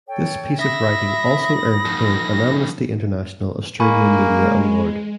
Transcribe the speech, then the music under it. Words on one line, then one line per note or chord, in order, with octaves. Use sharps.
This piece of writing also earnt Hill an Amnesty International Australia Media Award.
A4 C#5 G5
E5 B5 D#6 A#6
F3 D#4
G#3 A#3 G#5 B5 C#6